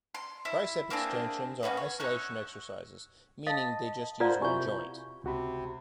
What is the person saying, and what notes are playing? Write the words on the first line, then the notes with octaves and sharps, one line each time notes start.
Triceps extensions are isolation exercises, meaning they use just one joint.
C6
E4
A#3 C4 D4 G#4
C#4 F#4 G#4 B4
C#5
D#4 C#5 E5 F#6
D#5 F5 A5 A6
F4 A#4 C5 D5 F5 F#5 A#5
C3 E4 F#4 G#5 C#6 G6
C#2 C3 F#4 B5